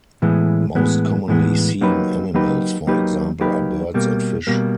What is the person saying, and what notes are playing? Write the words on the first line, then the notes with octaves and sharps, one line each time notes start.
Most commonly seen animals for example are birds and fish.
A2 E3 G#3 B3
A2 E3 G#3 B3
A2 E3 G#3 B3
F#3 A#3 D#4 G4 B4
F#3 A#3 D#4 G4 B4
F#3 A#3 D#4 G4 B4
F#3 A#3 D#4 G4 B4
B2 G3 A#3
B2 G3 A#3